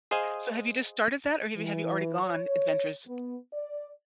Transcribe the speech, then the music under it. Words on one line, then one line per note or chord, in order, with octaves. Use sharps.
So, have you just started that, or, really, have you already gone adventures?
G#4 C5 D#5 F5 G#5
E3
C#5
B3
D5